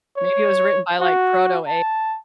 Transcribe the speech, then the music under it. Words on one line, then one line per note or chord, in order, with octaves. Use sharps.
Maybe it was written by, like, Proto AI,
C#5
F#4
A5